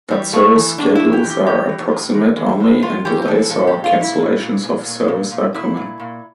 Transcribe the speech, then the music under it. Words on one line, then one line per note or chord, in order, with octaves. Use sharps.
But service schedules are approximate only and delays or cancellations of service are common.
E3 G3
A2 A3
E3
A2 D4
E4
A2
G4
E3
G4
E3 G4
E3
A2
E3
E3
A2
A2 F4
E3 G4
G4
E3 A4
A#2 A4
G4
A#2
F4
A#2
E4
A#2
A#2
A#2
A#2
A#2
A#2
A#2 E4
A#2
A#2